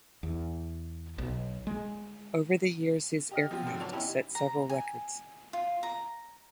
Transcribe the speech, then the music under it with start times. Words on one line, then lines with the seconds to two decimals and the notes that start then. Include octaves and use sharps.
Over the years, his aircraft set several records.
0.23 E2
1.18 B1
1.67 G#3
3.31 G4 D#5 F6
3.51 F3 F#3 B3 C4 F4 G4
3.67 G#2 D3 F#3 C4
3.80 F1 C#5 D5 A5 F7
3.92 B3 C#4 D#4 E4 G4 C#5
4.35 A#5
4.69 G#5
5.53 F4
5.83 A#5